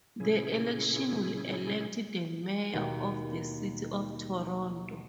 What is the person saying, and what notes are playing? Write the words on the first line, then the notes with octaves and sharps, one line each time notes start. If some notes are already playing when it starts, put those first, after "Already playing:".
The election will elect the mayor of the City of Toronto.
A#2 C#3 C#4 E4 G#4
D#2 B2 A#3 G5 C#7